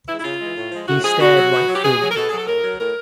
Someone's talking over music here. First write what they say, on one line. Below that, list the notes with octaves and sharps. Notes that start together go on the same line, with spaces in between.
He stared right through me.
E3 G#3 E4
E4
C#3 F4
E3 G#3
A2
F3 G#3
A2 F#4
F3 G#3 G#4
B2 F#4
F#3
B2
F#3
G4
B2 G#4
F#3
A#4
B2 A4
F#3 G#4
A4
A2 A#4
F#3
A2 A#4